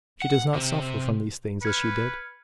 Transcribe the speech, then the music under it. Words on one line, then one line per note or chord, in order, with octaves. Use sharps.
She does not suffer from these things as she did.
F#5
C3
B4 F6 G#6 C#7